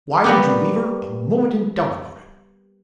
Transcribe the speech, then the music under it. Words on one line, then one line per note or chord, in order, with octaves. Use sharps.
"Why did you leave her a moment in doubt about it?"
G3 A#3 B3 F#4 G4